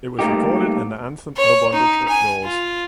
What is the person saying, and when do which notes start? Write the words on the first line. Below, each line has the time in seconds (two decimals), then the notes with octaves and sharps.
It was recorded and their anthem Oh Bondage Up Yours!
0.19 G3 A3 A#3 D#4 G4
1.37 C#5
1.73 D#4
2.09 G#5
2.44 F4